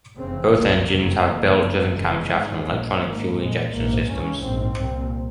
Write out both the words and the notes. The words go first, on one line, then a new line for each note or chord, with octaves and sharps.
Both engines have belt driven camshafts and Electronic Fuel Injection systems.
F1 E2 C#3 C4
C2 A#2 A#3
F1 F2 C#3 A#3
F1 E2 C#3 A#3
G1 F2 C#3
F1 E2 C#3 G#3
G#1 G#2
A#1 A#2
G#1 G#2 A#3
A#1 A#2 G#3
A#1 G#2 A#3
C#2 C#3 C#4
A#1 G#2 C4
C2 A#2